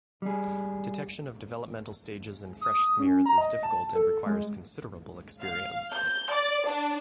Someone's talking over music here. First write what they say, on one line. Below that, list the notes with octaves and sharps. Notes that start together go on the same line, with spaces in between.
Detection of developmental stages in fresh smears is difficult and requires considerable experience.
G3 G#4
D#6
C#4
A#5
D#5
A5
A4
G#3
F5
G6
D5
D4